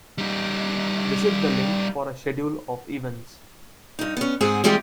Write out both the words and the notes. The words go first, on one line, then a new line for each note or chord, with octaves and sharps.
Visit the link for a schedule of events.
G3 D#4
G2 D#4
B3 C#4
G#2 C4 G#4 F#5 G#5
E3 G3 G#3 C4 F4 G4